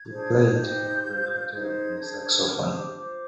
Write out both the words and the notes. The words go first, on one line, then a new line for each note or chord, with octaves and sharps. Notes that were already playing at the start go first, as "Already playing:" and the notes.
He played "Heartbreak Hotel" on the saxophone.
Already playing: G#6
D4 G#4 C5
D#4 G4 C5 G6
F4 C5
D#4 G#4 C5 G#6
D4 G#4 C5
D4 G4 C5 F6
D#6
D6
F4 C5 D6